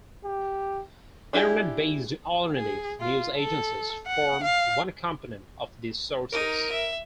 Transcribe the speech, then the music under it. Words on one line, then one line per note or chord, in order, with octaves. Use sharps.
Internet-based alternative news agencies form one component of these sources.
G4
D4 E4 G4 G#4
G#4
F4
A4
F#5
F5
D#4 A#4 D#7
E5